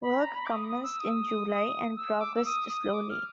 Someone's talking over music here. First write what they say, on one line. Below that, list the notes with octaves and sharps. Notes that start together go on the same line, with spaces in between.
Work commenced in July and progressed slowly.
B5
A#5
B5
D6
D#6
D#6
E6
D#6
E6
D6
E6
D#6
D#6
D6
F6